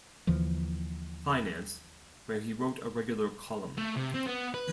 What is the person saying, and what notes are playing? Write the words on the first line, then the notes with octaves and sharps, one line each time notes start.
Finance where he wrote a regular column.
D#2 D3 E3 F3
A3
C3
C4
B3
B4